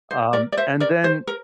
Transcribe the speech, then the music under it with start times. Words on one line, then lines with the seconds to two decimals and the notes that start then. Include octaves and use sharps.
Um, and then
0.11 C5
0.33 A#4 D5
0.52 D5
0.57 C5 E5
0.80 A#4 D5
1.04 C5
1.27 A#4